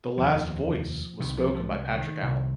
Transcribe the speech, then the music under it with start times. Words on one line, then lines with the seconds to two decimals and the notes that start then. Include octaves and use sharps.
"The last voice" was spoken by Patrick Allen.
0.17 F1 D#2 F3
1.20 C2 C3 D#3
1.37 F3
1.54 F3
1.71 G#3
1.97 D#3
2.22 C2 C3